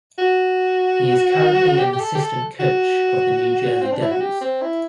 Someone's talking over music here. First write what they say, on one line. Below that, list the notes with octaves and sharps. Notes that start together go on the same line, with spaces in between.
He is currently an assistant coach of the New Jersey Devils.
F#4
G4
G4
A4
G4
A4
F#4
C4
D4
E4
F#4
G4
C4
E4